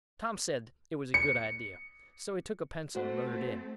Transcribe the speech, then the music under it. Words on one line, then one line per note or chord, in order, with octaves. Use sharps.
Tom said it was a good idea, so he took a pencil and wrote it in.
C#7
A3 C4 F#4 C5 F#5